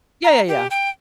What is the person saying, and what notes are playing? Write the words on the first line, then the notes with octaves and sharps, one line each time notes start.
Yeah, yeah, yeah.
A#5
G4
G5